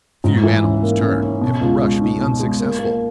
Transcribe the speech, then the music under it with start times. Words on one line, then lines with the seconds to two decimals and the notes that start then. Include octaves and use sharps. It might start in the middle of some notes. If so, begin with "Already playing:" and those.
Few animals turn, if the rush be unsuccessful.
0.24 G#2
0.43 E3
0.63 C#4
0.83 A#3
1.03 C#4
1.23 C#4
1.41 B2
1.61 C#2
1.81 G#3
2.01 D#4
2.21 B2
2.39 G#3
2.60 A#3
2.79 A#3